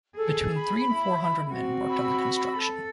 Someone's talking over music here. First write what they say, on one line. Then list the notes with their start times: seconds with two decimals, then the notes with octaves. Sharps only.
Between three and four hundred men worked on the construction.
0.17 G#4 A4
0.55 B5
0.90 E4
1.50 C4 F#4
1.89 B5 E6
2.57 A4